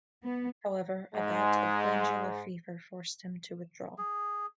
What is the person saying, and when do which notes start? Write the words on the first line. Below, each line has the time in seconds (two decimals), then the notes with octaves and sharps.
However, a bout of glandular fever forced him to withdraw.
0.25 B3
1.15 G#2 G#3
3.98 G#4